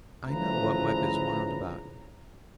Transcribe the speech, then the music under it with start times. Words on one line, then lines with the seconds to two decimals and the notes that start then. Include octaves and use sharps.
I know what web is wound about you.
0.25 D2 C#3 E3 F3 B4 A#5